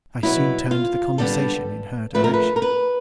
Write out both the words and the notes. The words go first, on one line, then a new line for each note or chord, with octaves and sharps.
I soon turned the conversation in her direction.
B2 F#3 B3 E4
F4
D3 G3 B3 D4 A4
D3 F3 A3 B4
A#4
B4
A#4
B4